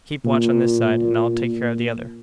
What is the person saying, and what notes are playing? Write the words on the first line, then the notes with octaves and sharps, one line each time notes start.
"Keep watch on this side, and I'll take care of the other."
A#2